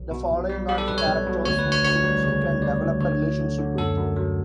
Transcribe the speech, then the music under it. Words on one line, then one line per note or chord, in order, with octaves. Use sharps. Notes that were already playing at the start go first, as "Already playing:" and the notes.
The following are characters Shinji can develop a relationship with.
Already playing: B1
B2
B1
G3
G3 G4
A4
B1 B4
C#5
B1
B2
D2 C#5
B4
D2
C#5
D2 C#5
G3
C#3
D2
G3 D5
D2
D3 C#5
F#3
D3
D3
F#2 A4
F#2
F#3